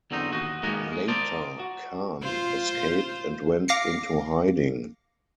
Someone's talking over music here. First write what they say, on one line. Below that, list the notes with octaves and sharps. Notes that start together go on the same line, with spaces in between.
Later Khan escaped and went into hiding.
E2 D3 F#3 C4 D#4
D#2 F#4 D#5
D#3 G#3 A#3 B3 F#4 A#4
G#3
A#4 C5 D5 D#5 A5
F#4
F4 C5
F5 D6 A#6 C7 C#7